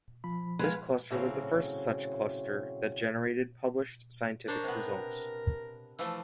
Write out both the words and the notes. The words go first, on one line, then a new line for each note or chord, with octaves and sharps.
This cluster was the first such cluster that generated published scientific results.
F3 B5
G#3 B4 F5
A2 C#3 F#3 C4
D4 A#4 C5 C#5
C3 B3
E3 F3 A3 E6